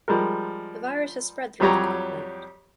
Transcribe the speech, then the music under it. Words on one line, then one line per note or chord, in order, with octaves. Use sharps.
The virus has spread throughout the continent.
F3 G3 G#3 A#4
F2 F#3 G3 G4 C#5 A#5